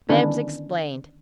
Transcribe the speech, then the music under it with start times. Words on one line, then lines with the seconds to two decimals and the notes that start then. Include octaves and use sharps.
Bibbs explained.
0.09 D3 D#3 B3 C#4 D4 E4